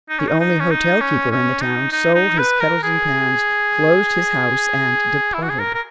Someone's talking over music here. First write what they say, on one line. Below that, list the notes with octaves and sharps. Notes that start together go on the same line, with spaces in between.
The only hotel-keeper in the town sold his kettles and pans, closed his house, and departed.
D#4
C#4
D#4
D#4
C#4
D#4
C#4
C#4
D#4
D#4
D#4
B4
A#4
G#4
E4
F#4
G#4
A#4
A#4